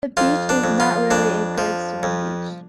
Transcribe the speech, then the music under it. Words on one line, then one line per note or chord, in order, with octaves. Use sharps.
The beach is not really a good swimming beach.
F2 F4
D4
F2
F4
F2 D4
F3
F2